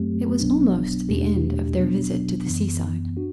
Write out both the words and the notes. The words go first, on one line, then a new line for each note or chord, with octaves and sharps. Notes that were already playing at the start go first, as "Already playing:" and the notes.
It was almost the end of their visit to the seaside.
Already playing: F#2 F#3 A3 C4 G4
B1 B2 F#3 B3 D4
E2 B2 A3 D4 G4
B2 F#3 B3 D4
F#2 E3 B3
D4 F#4